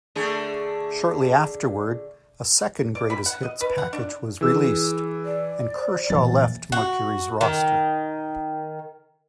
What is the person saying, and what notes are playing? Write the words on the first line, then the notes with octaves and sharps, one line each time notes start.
Shortly afterward, a second greatest hits package was released, and Kershaw left Mercury's roster.
D3 A3 G#4
D5
B5
F#5
D#5
B4
F#5
D4
E3 G#4 E6
D5
C5
A#2 E3 F#3 A6
F#4
D#3